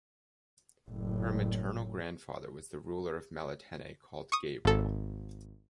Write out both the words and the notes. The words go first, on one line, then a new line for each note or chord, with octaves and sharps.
Her maternal grandfather was the ruler of Melitene called Gabriel.
F#1 A2
C#6 D#6
G#1 A4